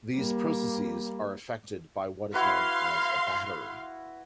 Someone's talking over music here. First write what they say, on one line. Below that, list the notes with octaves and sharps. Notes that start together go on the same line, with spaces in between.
These processes are effected by what is known as a battery.
G3 A#3
E4 F#4 B4 F5 C6